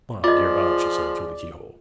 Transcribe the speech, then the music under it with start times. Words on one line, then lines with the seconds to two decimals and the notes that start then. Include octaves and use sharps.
'Bob, dear Bob!' she said, through the keyhole.
0.24 F3 F4 G#4 D5 D#5